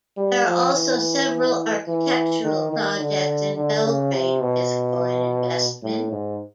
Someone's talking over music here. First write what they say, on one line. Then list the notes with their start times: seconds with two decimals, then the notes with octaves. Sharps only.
There are also several architectural projects in Belgrade with foreign investment.
0.17 G3
0.46 F3
0.74 E3
1.87 E3
2.43 D#3
2.72 D#3
3.00 D3
3.56 D3
3.85 C#3
4.13 C3
4.42 B2
5.83 A2
6.12 G#2